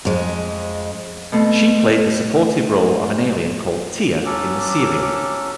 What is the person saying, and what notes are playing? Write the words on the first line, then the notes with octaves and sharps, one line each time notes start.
She played the supportive role of an alien called "Tia" in the serial.
F2 G#3
B2 A3 C4
F#3 C#4 A4 D6